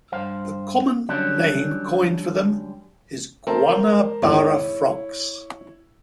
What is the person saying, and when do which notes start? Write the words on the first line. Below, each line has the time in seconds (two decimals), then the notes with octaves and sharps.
The common name coined for them is Guanabara frogs.
0.12 G2 C5 F5
1.09 D3 F#3 G3 C#4 D4
3.47 A3 C4 A#4 C5 A5
4.23 E2 G#2 C4 E4 C#5